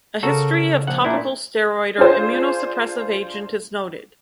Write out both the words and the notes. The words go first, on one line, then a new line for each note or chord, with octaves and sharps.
A history of topical steroid or immunosuppressive agent is noted.
C#3 F#4 A4 A#4
A#1 F#5
A#2 D4 E4
D4 F4 G#4 C5